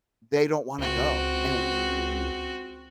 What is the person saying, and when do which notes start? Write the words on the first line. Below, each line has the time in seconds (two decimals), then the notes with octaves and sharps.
"They don't wanna go, and w
0.79 C#2 C4 F#4